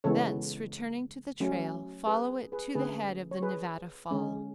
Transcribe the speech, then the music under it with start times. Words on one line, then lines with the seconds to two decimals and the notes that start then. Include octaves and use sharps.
Thence returning to the trail, follow it to the head of the Nevada Fall.
0.04 C#3 E3 G#3 B3 A4 C#5
1.40 F#3 A3 C#4
2.07 G#4 B4
2.52 G#4 B4
2.75 D3 A3 C#4 G#4 B4
3.31 C#5
3.42 G#4 B4
4.11 D3 G#3 C#4